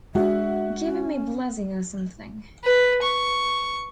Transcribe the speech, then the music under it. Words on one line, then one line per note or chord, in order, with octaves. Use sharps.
Give him a blessing or something.
G#3 A3 D4 F#4 E5
C#4
B4
C#6